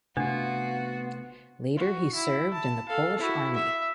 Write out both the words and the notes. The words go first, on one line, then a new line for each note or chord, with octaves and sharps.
Later he served in the Polish Army.
C3 A3 B3 D4 F4 F#4
F#4
E4
A5
A4 F5
E4 F#4
E5